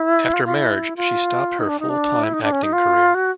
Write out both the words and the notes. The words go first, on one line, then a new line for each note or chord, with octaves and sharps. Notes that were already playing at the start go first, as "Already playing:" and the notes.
After marriage, she stopped her full-time acting career.
Already playing: E4
F4
F4
E4
F4
D#4
D4
D#4
D4
E4
D#4
D4
C#4
D#4
F4
F#4